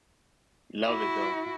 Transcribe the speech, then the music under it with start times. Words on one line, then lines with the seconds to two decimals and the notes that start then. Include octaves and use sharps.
Love it, though.
0.86 E4 F#4